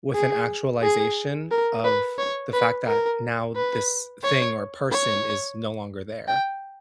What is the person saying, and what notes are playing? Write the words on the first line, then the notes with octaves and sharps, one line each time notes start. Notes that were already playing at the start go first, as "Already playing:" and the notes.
with an actualization of the fact that now this thing or person is no longer there.
G#4
G#4
A#4
B4
C#5
B4
A#4
B4
C#5
C#5
G5